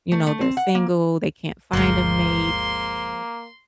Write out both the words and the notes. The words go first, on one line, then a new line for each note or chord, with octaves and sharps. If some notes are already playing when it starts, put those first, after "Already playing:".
you know, they're single, they can't find a mate.
A3
A3
C4
F#5
A#3
G1 D2 F3 G#3 A#3 C6